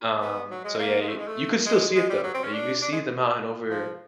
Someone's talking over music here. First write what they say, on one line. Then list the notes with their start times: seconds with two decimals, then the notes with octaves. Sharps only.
Um, so yeah, you, you could still see it though, like, you could see the mountain over
0.21 B3
0.50 F#3
0.64 G#3
0.79 A#3
1.01 G#3
1.09 A3
1.18 G#3
1.28 A3
1.66 G#3
1.95 G#3
2.10 G3
2.24 F#3
2.34 C4
2.43 C#4
2.53 D4
2.82 D4
2.92 G#3
3.70 F3